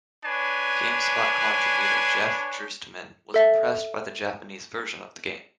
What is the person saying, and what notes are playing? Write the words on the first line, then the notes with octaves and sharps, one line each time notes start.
GameSpot contributor Jeff Gerstmann was impressed by the Japanese version of the game.
D4 B4 C#5 G#5
A4 E5